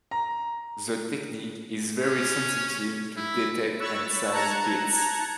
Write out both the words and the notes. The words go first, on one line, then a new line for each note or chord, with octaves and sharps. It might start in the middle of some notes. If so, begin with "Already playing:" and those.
The technique is very sensitive to detect and size pits.
A#5
C#4
E4
C#5 B5 C#6 E6 F#6 A6
A5 A#5 F#6 G#6 C#7